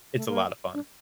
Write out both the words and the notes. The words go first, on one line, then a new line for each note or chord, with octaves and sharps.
it's a lotta fun.
A3
A#3
D4